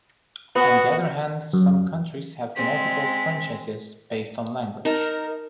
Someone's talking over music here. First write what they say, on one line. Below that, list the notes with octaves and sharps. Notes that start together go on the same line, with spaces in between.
On the other hand, some countries have multiple franchises based on language.
B3 F#4
F#2
G#3 C4 B6
D#4 A#4 A5